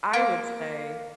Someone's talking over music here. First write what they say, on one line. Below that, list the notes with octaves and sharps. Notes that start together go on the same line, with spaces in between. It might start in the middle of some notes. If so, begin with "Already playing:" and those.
I would say
A#3